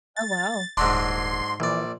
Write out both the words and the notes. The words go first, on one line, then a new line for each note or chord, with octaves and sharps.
Oh, wow.
A6
D#1 G#2 F#3 D4 C6
A#1 E3 D5